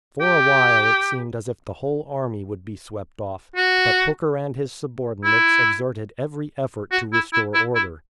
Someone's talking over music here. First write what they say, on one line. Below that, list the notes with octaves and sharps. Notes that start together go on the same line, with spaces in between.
For a while it seemed as if the whole army would be swept off; but Hooker and his subordinates exerted every effort to restore order.
G4
F#4
E4
F#4
E4
E4
E4
E4